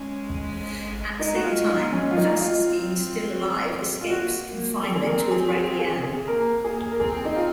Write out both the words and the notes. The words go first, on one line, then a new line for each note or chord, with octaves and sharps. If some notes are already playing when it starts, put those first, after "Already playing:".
At the same time, Wasserstein, still alive, escapes confinement with Raggy Ann.
Already playing: G#3 C#4
D#4
F#4
F4
D#4
C#4
F4
D#4
F4
C4
F4
A#3 F#4
A#3
C4 G#4
G#4
A#4
G#4
F#4
G#4
G#4
G#4
A#3 A#4
A#3 G#4
A#4
C4 G#4
D#4
F4